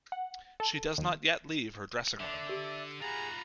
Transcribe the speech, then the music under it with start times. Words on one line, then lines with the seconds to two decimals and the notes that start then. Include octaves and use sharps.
She does not yet leave her dressing-room.
0.12 F#5
0.60 A4
0.98 D#2
2.20 D3 D5 E5
2.49 G4
3.01 F4 G#4 F#5 A#5 B5